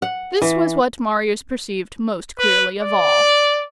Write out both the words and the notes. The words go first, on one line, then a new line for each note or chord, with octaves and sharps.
This was what Marius perceived most clearly of all.
F#5
E3
B4
D5